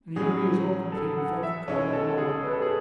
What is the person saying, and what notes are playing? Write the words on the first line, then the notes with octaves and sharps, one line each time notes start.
And here he is all complete, velvet collar and all.
A2 F#3 C#4 G#4
A4
F#5
E5
B1 B2 G#3 C#4 E4 C#5
A4
G#4
B4
A4
G#4